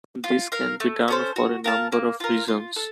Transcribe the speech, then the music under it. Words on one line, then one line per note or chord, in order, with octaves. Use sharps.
This can be done for a number of reasons.
F4
A#4 F5
A3
C#4 A4 C5
F#4
A#4 F5 A5
A#3
F4 A#4
F4
A4